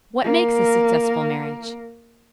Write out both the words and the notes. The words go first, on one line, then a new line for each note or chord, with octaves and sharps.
What makes a successful marriage?
A#3 A#4